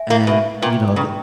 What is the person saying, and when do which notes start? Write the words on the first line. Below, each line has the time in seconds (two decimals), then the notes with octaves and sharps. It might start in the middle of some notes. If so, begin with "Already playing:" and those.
And, you know, the
Already playing: E5 G#5
0.10 A#3
0.27 B2 B4 E5 G#5
0.62 A#2 B4 G5 A#5 C#6
0.96 C#3 B4 G5 A#5 C#6